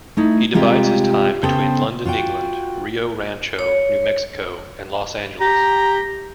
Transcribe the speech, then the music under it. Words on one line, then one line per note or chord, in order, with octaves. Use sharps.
He divides his time between London, England; Rio Rancho, New Mexico, and Los Angeles.
A3 D#4 E4
C3 G3 G#3 F4 G4 A#5
C#3 B3 A4 C5 G5
F4 F#4 C5 G5
C#5
G4 A#5